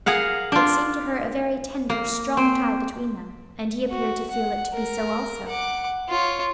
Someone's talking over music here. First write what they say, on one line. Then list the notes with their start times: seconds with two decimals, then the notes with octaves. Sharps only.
It seemed to her a very tender, strong tie between them, and he appeared to feel it to be so also.
0.06 G#4 A#4 F5 F#5
0.52 D4 F4
1.90 A#3
2.37 C4
3.89 F#4
4.31 F#5
4.74 A#4
5.48 F#5 D6
6.08 F4 C#5